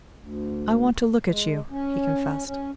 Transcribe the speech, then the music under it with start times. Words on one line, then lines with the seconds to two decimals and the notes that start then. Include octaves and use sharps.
"I want to look at you," he confessed.
0.19 D2
1.27 G#3
1.70 C#4
2.46 C#4